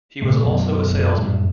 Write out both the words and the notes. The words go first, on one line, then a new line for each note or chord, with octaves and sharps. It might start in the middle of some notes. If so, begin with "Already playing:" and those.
He was also a salesman.
A#2 C#3 A3
F#2 B2 F#3 G#3
F#2 A2 G3